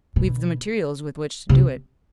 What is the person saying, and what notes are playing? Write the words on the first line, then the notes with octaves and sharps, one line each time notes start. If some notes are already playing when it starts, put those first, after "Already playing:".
We've the materials with which to do it.
B2
C3